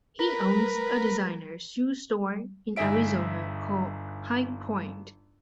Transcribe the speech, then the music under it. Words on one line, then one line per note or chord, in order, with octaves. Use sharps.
He owns a designer shoe store in Arizona called High Point.
A#4 B4
G1 D#4 G#4 E5 D7